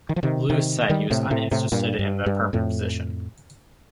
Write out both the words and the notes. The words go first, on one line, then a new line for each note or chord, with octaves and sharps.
Lewis said he was uninterested in the permanent position.
D#3
F3
C3 D#3
C3 D#3
D#3 G3
A2 C3
A2 C3
A2 C3
G2 A#2
G2
G2
F2 A2